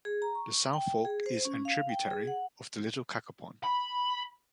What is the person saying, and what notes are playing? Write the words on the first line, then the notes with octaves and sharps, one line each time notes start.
The South Fork is an tributary of the Little Cacapon.
G#4
A#5
C#6
G5
G#4
C5
C#4
F5
G5
G#4
F#5
B5